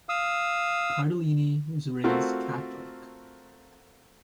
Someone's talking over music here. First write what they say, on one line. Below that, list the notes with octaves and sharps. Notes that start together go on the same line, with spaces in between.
Cardellini was raised Catholic.
F5 D#6 E6
A3 C4 F4 F#4 A#4